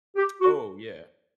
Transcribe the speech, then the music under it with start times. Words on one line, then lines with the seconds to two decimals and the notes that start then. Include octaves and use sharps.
Oh yeah.
0.16 G4
0.41 F#4